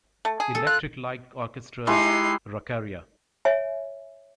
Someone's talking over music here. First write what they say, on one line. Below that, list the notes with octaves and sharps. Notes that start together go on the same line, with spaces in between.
Electric Light Orchestra's Rockaria!
A3
G#4
A4
F4 F#6
G#3 D#4 E4 G4 C7
C#5 E5 G#5